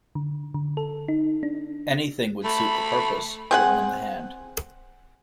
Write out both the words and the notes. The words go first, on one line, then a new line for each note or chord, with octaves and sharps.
Anything would suit the purpose, written in the hand.
D3
D3
A4
D#4
D4
A3 B5
C4 G#4 F#5